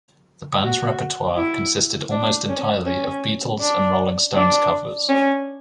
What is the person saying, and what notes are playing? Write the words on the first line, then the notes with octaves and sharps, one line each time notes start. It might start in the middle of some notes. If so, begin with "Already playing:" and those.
The band's repertoire consisted almost entirely of Beatles and Rolling Stones covers.
F#4
E4
D4
C#4
C#4
D4
D4
C#4